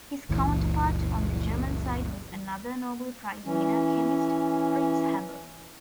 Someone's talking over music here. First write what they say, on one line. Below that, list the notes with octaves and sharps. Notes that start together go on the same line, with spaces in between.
His counterpart on the German side was another Nobel Prize-winning chemist, Fritz Haber.
F#1 C#2 A#2 E3
E3 C#4